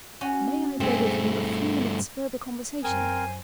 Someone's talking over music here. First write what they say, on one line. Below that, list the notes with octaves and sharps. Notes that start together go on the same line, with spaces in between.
May I beg of you a few minutes' further conversation?
C#4 F#4
G2 G#3 A3 C4
F#2 C4 A#4 C5 G#5